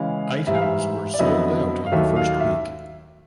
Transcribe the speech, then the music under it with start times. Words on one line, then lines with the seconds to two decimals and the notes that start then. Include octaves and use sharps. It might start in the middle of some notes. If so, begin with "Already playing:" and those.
Items were sold out on the first week.
Already playing: C#3 E3 G#3 F5
0.47 G#2 E3 G3 E5
0.54 F5
0.62 E5
1.14 D5
1.19 F2 D3 F#3 B3 E4 D#5
1.86 F5
1.92 D#2 D#3 F#3 A3 E5
2.16 F5
2.40 E5